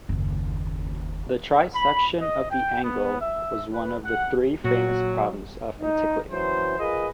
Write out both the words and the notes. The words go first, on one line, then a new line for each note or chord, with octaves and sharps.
The trisection of the angle was one of the three famous problems of antiquity.
F#1 D#2
B5
D#5
G5
B3
E5
B4
F#5
A#2 F#3 F#4
D#4
F#2 E3 F#3 C5
F4 G#4 A#4 B4 D#5